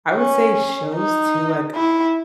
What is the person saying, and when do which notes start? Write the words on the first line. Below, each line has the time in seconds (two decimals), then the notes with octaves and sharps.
I would say shows too like
0.15 C#4
0.95 D#4
1.75 E4